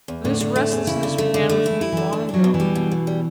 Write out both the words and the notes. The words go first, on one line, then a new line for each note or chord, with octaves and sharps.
'This restlessness began with me, long ago.
E2
A2 D3
D3
A3
E2
C#3 E4
D3
A3
D3
A3
E3 E4
E4
D3 E3
E3 D4
F#3 D4
B2
E3
G3
B2
B2
G3